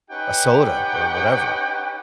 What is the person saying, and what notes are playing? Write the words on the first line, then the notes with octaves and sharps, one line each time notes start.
a soda or whatever.
C#4 D#4 G4 B4 F#5 G5